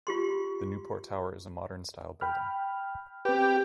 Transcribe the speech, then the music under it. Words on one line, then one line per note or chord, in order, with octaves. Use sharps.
The Newport Tower is a modern-style building.
F4 G4 C6
G5 B5 F6
C4 G4 B4